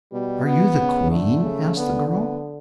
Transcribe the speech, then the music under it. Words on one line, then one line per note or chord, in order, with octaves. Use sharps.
"Are you the Queen?" asked the girl.
B2 G3
B3
C#3
D3 A3
C#3
D3 B3
B3